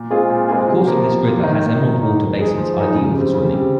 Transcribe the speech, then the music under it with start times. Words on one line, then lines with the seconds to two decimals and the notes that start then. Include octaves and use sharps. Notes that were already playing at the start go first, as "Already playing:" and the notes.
The course of this river has emerald water basins ideal for swimming.
Already playing: A#2
0.11 G#3 C4 F4 G#4
0.30 A#2
0.48 G#3 C4 F4 G#4
0.68 C3
0.87 F3 A#3
1.05 C3
1.25 F3 A#3
1.43 D#3
1.63 A#3 D#4
1.82 D#3
2.01 A#3 D#4
2.20 F3
2.39 G#3 D#4 G#4
2.58 F3
2.77 G#3 D#4 G#4
2.96 C#3
3.15 G3 C4
3.34 C#3
3.53 G3 C4